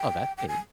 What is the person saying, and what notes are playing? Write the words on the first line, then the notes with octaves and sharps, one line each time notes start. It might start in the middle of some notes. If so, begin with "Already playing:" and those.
Oh, that's neat.
Already playing: G5
G5
G#5